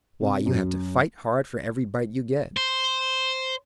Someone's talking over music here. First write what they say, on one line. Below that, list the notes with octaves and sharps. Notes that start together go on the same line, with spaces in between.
Why, you have to fight hard for every bite you get.
C3
F#2
C5